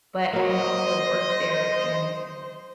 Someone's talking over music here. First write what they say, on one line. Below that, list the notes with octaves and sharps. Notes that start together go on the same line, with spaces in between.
But I had also worked there and
F#3 A#3 C5 D#5